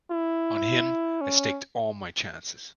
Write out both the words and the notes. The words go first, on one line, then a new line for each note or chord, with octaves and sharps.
On him I staked all my chances.
E4
C#4